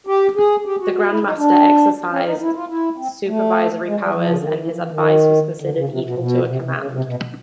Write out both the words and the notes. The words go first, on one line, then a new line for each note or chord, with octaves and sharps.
The grandmaster exercised supervisory powers and his advice was considered equal to a command.
G4
G#4
G4
F#4
F#4
E4
D#4
D4
C#4
D#4
E4
F4
E4
C4
A3
G#3
G3
F3
C#3
D3
D#3
E3
F3
E3
D#3
D3
C#3
C3
B2
B2
C3
C3
C#3
C3
B2